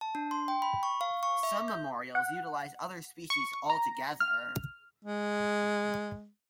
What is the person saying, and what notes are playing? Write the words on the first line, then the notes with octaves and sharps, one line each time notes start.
Some memorials utilise other species altogether.
A5
D4
C6
G5
B5
C#6
F5
C#6
E5
G6
F#5
C#6
A#5
F6
G#3